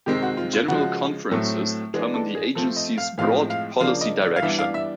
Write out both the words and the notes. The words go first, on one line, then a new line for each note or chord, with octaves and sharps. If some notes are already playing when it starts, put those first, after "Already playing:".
General Conferences determine their Agency's broad policy direction.
C3 D#3 G#3 C4 G4
F#4
F4
F4
C#3 F3 G#3 F#4
A2 F#3 A3 C4
E3 G#3 B3 D4 G#4
A4
G#4
F3 A3 C4 A4
D#5
F5
A2 F3 G#3 C4 F5
F5
C#3 F3 A#3 D4 F5
D#5
D5
F5
E3 G3 B3 D4 E5
F5
E5